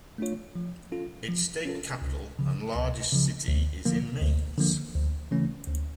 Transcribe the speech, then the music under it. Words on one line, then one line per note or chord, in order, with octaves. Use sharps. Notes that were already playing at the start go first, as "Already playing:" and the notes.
Its state capital and largest city is Mainz.
A3 D4 F4 C#5
F3
C#4 F4 A4
F3
C#4 F4 A4
C#2
C#3 F3
C#2
C#3 F3
D2
D3 F3 A#3
D2
D3 F3 A#3
D2
C#3 E3 A3 C#4
D2